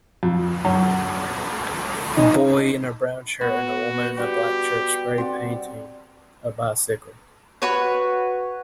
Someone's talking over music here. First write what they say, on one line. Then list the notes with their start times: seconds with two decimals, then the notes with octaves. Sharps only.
Boy in a brown shirt and woman in a black shirt spray painting a bicycle.
0.23 F2
0.65 F#2
2.17 D#4
3.41 B3 F#4
4.17 G3 F#4 G4
5.18 C4 D5 F#5
7.62 F#4 B4 C#5